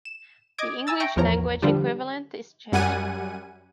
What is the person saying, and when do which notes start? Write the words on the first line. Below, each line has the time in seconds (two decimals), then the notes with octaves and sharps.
The English-language equivalent is Chester.
0.05 E7
0.58 D#5 D6 D#6 G#6 D7
0.87 G#5 A#5 E6 A6
1.00 E5 G5 C#6 A#6 D7
1.16 A1 E2 F3 A#4 C#5 A#5
1.62 D3 F3 G3 G4
2.72 F#2 G3 F#5 G#5 D#7